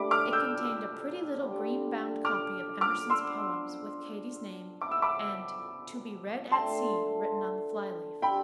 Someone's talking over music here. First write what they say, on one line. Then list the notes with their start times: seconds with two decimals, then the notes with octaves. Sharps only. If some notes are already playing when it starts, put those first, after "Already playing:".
It contained a pretty little green-bound copy of Emerson's Poems, with Katy's name and "To be read at sea," written on the flyleaf.
Already playing: A2 G3 D4 B5 D6
0.11 D6 F6
0.33 E6 G6
1.39 D3 G3 D4 F4
2.25 D6 F6
2.81 D6 F6
3.10 F3 B3 D4 C6 E6
4.81 F3 B3 E4 D6
4.91 E6
5.02 B5 D6
6.51 D3 A3 C4 A5 C6
8.22 D3 G3 C4 G5 B5